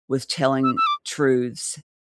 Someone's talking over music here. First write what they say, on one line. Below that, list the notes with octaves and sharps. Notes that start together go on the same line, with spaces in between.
with telling truths.
E6
E6
D6